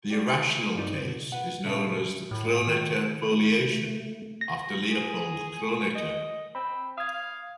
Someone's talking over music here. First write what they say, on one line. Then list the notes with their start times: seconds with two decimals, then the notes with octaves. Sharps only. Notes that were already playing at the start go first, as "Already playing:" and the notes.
The irrational case is known as the Kronecker foliation, after Leopold Kronecker.
0.10 G4 D5
0.75 C2 G2 C3 D#4 D5
1.04 B2
1.32 B4 F#5
1.65 A#2 C#3 A4 E5
2.31 A2
2.67 D#3
3.32 A3
4.41 A#6
4.91 G#4
5.95 D#5
6.55 C4 B5
6.98 F5 D#6 G#6